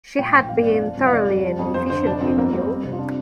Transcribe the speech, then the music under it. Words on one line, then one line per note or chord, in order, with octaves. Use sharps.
She had been thoroughly and efficiently mauled.
A#2 G5
A#1 G5
G1 F5
F2 D5
F5
F3
C2
F5
F2 D5
G3
F3
F2
F2 C5
D3 C5
F1 D4
F2 C4
G1 A#3
G3 C4
F2
C3
F4
D4